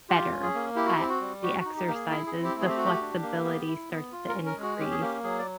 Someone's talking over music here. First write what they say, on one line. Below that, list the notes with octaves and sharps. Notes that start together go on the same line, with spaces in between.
better at the exercises, the flexibility starts to increase,
F4 G4
C#4
G#4
A#3
E4 G4
F#4
C4 G4
F#4
G3
F#4 G4
F#4
D#4
G4
A#3 G4
G#4
E4 G#4
G#4
C4
G4
A3
G#4
G4
F#4
G4
D4
A#3
B3
E4
B3
F4
A#4
C#4
A#4
G#3
F#4
C#4 G4
G#4
A#3 G4
F#3 G#4
D5